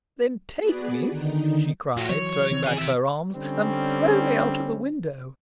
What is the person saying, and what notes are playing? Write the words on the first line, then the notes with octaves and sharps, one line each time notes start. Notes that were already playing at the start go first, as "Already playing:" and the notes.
"Then take me," she cried, throwing back her arms, "and throw me out of the window."
B3 F#4 G#4 B4 D5
D3 D#3 D#4
F3 F#4
E3 F#3 C#5
D#3 E3 C4
G#4 C#5
G4 E5
D3 G3 C4 C#4